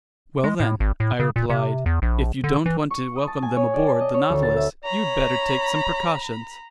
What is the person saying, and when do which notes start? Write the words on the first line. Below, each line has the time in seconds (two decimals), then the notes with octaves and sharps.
"Well then," I replied, "if you don't want to welcome them aboard the Nautilus, you'd better take some precautions!"
0.44 G#3
0.60 A2
0.80 G#1
1.00 A2
1.20 C#3
1.36 A#2
1.50 C3
1.86 E2
2.02 A#1
2.44 D3
2.66 E3
2.90 C#6
3.16 D#6
3.27 A5
3.42 G#5
3.56 C#5
3.74 D5
3.87 A5
4.00 D#5
4.14 C#5
4.30 D2
4.42 A6
4.56 E5
4.84 C#5 A#5 B5